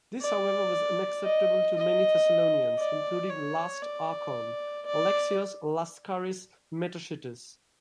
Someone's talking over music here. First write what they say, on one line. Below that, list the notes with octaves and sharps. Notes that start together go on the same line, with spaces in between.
This however was unacceptable to many Thessalonians, including the other "archon", Alexios Laskaris Metochites.
D5
D#5
D#5
D5
C#5
D5
D5